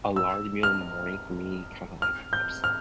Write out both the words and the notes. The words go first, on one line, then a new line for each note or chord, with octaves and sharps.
a large meal in the morning for me kinda, like, ups
E6
F6
F6
G6
F6